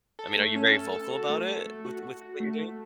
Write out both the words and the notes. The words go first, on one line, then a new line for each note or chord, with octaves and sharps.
I mean, are you very vocal about it with with what you're doing?
A4
A3
C#4
A4
A4
F#4
A3
A4
A3
F#4
F#4
F#4
A3
A3